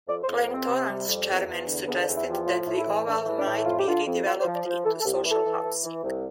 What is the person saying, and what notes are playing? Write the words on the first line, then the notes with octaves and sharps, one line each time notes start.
Glentoran's chairman suggested that the Oval might be redeveloped into social housing.
F2 D5
C5
F2
B4
C3 B3 C4
C3
G3
F2
E2
E2
D3
E2 B3
D4
E2
E4
F3 G4
A2 F4
A2
E4
E3
A2 D4
E3
D4
A2 E4
F2 F4
G4
D3 F4
F2
F2 F4
C5
F3
D5
F3 C5
E3 A4
A4
C2
G4
E3
A4
E3
E3
E3
C2